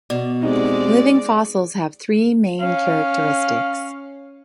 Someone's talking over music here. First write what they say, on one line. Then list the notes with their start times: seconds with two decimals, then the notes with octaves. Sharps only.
Living fossils have three main characteristics.
0.10 B2 D5
0.43 C3 G#3 D#4 D5
2.61 C#4 F5